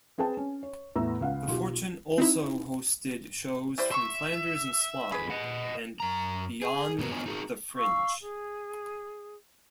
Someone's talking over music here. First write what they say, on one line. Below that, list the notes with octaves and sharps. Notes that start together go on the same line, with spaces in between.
The Fortune also hosted shows from Flanders and Swann and Beyond the Fringe.
C4 G#4 B4 G5 A5
C#4
C#5
E2 A2 B4 A#5 E6
C#2 F5 F#5
B1 F4 G4
C4 D#4 E4
G3 E4 C5
E5 C6 C#6
F2 G#4 B4 B5
D#5 F#5
F#2 A#5
G#4
F#2 A#2 D#3 B3 F#4 A#4
B3 D4 F4 C#5 D#5 G#5
D#4 F#4 G#4
F5 C#6 E6
G#4